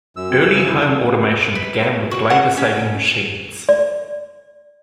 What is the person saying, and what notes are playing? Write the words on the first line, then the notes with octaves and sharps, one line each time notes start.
Early home automation began with labor-saving machines.
F#2 E6
C4
C#3
E4
B4
F#4
F#5
C#4
D5